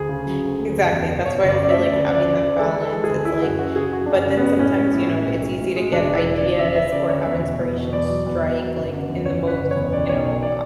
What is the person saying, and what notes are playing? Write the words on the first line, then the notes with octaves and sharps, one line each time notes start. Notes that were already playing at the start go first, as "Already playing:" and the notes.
yeah. Exactly, that's why I feel like having that balance, it's, like but then sometimes, you know, it's easy to get ideas or have inspiration strike, like, in the most, you know,
Already playing: D2 G#4
C#3
F#3
D2
A3
F#1
E2
F#1
B2 C#5
F#1
D5
F#1 D5
E5
A3
D2 D5
C#3
D5
D2
D5
D2
G#3 A4
G#3 A4
G#3
G#4
D2
G#3 E4
F#2 F#4
F#2 F#4
C#3 G#4
F#2 F#4
F#2 D4
C#4
C#3
B3
F#2
A2 C#4
G#3
A2
A2
B1
G#3
A2
G#3
E1 D4
E1
E4
E1
D5
C#3
E1 E5
C#3 E5
C#3 D5
D2 C#5
E2 E5
B2
E2
B2
E2 D5
F#3
E2
E2
F#3
F#1
D3
E2
F#1 C#5
D3
B4
F#1
C#5
E2
B1 D5
B2 C#5
B1 C#5
D5